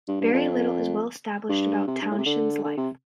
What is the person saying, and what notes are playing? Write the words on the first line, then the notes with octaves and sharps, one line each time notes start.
Very little is well established about Townshend's life.
G2
G2
F2
G2
C3
G2
A2
C3
D3
D3
C3